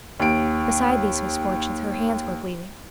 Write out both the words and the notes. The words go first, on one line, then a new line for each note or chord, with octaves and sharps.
Beside these misfortunes her hands were bleeding.
D#2 D7